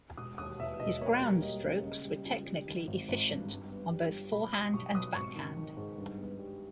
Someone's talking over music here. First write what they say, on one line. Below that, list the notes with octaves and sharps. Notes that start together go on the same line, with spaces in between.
His groundstrokes were technically efficient on both forehand and backhand.
E1 D#6
D#2 D#6
E1 E5
E1 D#5
A#3 C#5
G3
G3 D#5
C#3
C#3 D#5
G3
C#2
G3
D#3
G#1
G#1
G2
G2
B3
G3
G1
B2 B5
G3 D#6
B1 C#6
B2 D#6
G#1 C#6
D#3
D#3
G#2
G2
B3
G3